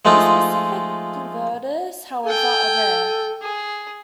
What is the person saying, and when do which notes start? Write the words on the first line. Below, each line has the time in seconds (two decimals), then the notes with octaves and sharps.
These specific converters, however, are rare.
0.05 F3 G#3 A3 D#4 F4
2.26 A4 G5 G#5
3.42 G#4